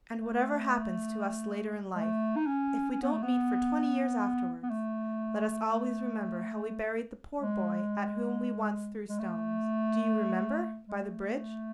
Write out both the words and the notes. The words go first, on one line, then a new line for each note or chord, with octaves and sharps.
And whatever happens to us later in life, if we don't meet for twenty years afterwards, let us always remember how we buried the poor boy at whom we once threw stones, do you remember, by the bridge?
A3
G#3
A3
D#4
C#4
C#4
B3
A3
B3
B3
A3
G#3
G#3
A3
G#3
A3